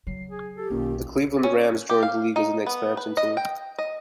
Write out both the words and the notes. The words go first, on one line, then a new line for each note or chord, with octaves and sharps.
The Cleveland Rams joined the league as an expansion team.
C#3 F#3 C7
G#4
G4 A4
B1 D#3 A#3 C#4 F4
C#4
G4
F5
D#4
B3
B4
D#5
G5
D#5